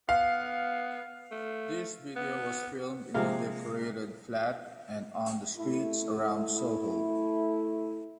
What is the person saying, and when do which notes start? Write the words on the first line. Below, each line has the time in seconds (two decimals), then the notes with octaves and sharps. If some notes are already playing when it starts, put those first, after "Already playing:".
This video was filmed in a decorated flat and on the streets around Soho.
0.09 B3 F5
1.31 A3
2.16 B3
3.14 C3 F3 G#3 A#3 F5
5.56 A3 E4